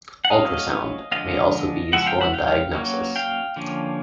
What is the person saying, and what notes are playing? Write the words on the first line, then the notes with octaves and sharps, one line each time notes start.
Ultrasound may also be useful in diagnosis.
F#5
F#3 A3 C#4 D#5 F5
D3 F3 G#3 B3 D#5 F5
C#3 F3 G#3 B3 E5 F#5
F5 G5
E5 F#5
F5 G5
F#3 A#3 C#4
F5 G5
D3 F3 A#3 C#4